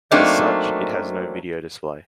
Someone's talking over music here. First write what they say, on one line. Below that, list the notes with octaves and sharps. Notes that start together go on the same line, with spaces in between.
As such it has no video display.
F#3 A3 A#3 C4 D4 D#4